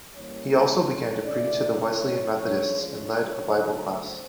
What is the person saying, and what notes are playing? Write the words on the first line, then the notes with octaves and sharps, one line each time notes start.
He also began to preach to the Wesleyan Methodists and lead a Bible class.
E3 G3 A#3 C#4 C#5
C#5
C#3 E3 A3 C#4 D5
C#5
F3 G#3 C#4 C#5
C#5
D3 F#3 A3
C5